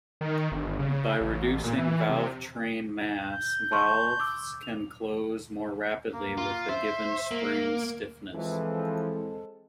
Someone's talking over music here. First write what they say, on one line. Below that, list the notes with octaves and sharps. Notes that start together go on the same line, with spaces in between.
By reducing valvetrain mass, valves can close more rapidly with a given spring stiffness.
D#3
G1
C#3
A1
A#2
E3
C3
G6
A5 C6 C#6
D6 E6
F7
A#3
F4
C5 E5
A#3
E3 F3 G#3 C4 A4